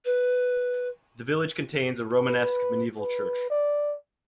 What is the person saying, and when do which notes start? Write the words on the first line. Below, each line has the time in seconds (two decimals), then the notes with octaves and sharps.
The village contains a Romanesque medieval church.
0.05 B4
2.13 B4
3.00 B4
3.50 D5